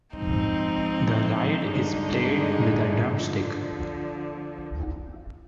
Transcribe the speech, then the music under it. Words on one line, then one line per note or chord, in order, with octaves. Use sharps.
The ride is played with a drumstick.
G#2 F3 C4 D#4
G2 D3 G#3 D#4
D3 F3